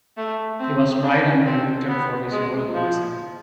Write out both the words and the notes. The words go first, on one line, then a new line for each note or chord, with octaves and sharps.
He was tried and convicted for his role in the massacre.
A3
C4
D4
C4
B3
G#3
F3